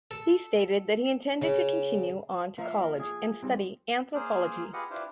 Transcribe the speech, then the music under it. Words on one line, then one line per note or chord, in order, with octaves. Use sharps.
He stated that he intended to continue on to college and study anthropology.
A4
C#3
F3 A#3 E5
A#4
G#4
G3 C4
A#3 G#4 C5 F6
F4 G4 G#4 B4 D#5 F#5
D4 E4 F4 G4 B4 C5